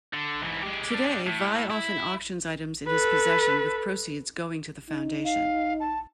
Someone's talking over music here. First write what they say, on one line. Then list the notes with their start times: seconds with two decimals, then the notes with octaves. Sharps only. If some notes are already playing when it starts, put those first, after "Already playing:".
Today, Vai often auctions items in his possession with proceeds going to the foundation.
0.13 D3
0.42 G#2 E3
0.62 G#3 G4
0.92 G3 D4
1.27 A2
1.70 E4
2.87 A4 B4
4.90 D#4
5.25 F5
5.80 A5